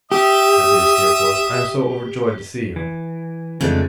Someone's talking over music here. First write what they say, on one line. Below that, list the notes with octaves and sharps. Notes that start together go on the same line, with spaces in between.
My dear Steerforth, I am so overjoyed to see you!'
G4 E5 D#6
E3
F2 C#3 G#3 A3 D4